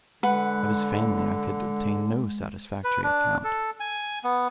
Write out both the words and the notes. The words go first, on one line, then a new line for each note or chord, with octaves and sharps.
Of his family I could obtain no satisfactory account.
D3 G#3 B4 F#5
B4
D4
A4
G#5
B3